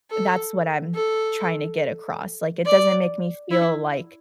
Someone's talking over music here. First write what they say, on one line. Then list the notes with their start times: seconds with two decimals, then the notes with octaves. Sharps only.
that's what I'm trying to get across, like it doesn't make me feel like,
0.10 A4
0.94 A4
2.66 D5
3.51 E4